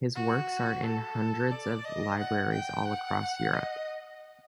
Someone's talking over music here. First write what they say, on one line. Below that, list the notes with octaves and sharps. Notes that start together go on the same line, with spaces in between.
His works are in hundreds of libraries all across Europe.
F#4
A4
D5
D#5
F#5
G5
F#5
D#5